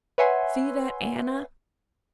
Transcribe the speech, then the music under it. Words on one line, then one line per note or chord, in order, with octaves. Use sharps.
'See that, Anna?
B4 C#5 E5 F#5 G#5 C6